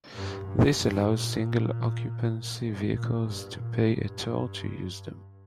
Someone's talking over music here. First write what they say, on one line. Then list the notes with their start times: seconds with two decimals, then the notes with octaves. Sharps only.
This allows single-occupancy vehicles to pay a toll to use them.
0.15 G2
0.46 G2
0.77 G2
1.08 A#2
2.95 A#2
3.25 G2
3.56 A#2
3.87 G2